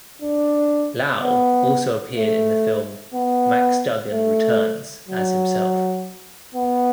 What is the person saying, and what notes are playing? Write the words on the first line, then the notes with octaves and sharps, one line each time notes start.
Lau also appeared in the film "Max Dugan Returns" as himself.
D4
B3
A3
B3
A3
F#3
B3